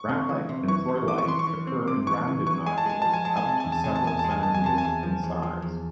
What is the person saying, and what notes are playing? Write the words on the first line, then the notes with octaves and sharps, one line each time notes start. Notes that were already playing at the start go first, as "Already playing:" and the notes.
Graphite and troilite occur in rounded nodules up to several cm in size.
Already playing: C#6
C3
E3
C3
E3 C#6
C3
E3 D6
C#6
E3 C6
C#6
E3
C4
C3 D6
E3 C#6
E3
E3 C#6
G#3 G#5
A5
G#3 G#5
F3 A5
G#5
G#3 A5
G#5
C3 A5
E2 G#5
A5
C3 G#5
A5
E2 G#5
G#3 A5
G#5
E2 A5
G#5
C3 A5
G#5
E2
F3
E2
F3
E2